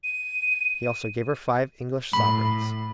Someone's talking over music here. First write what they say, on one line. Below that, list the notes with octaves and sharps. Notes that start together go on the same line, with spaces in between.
He also gave her five English sovereigns.
D#7
A2 B5